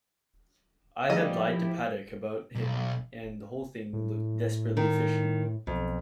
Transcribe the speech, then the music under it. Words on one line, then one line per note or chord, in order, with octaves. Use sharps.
I had lied to Paddock about him, and the whole thing looked desperately fishy.
C#3 F3 G3 A3 D#4 G#4 D#5
E4 G4
B1
A2
D#3
B1 F2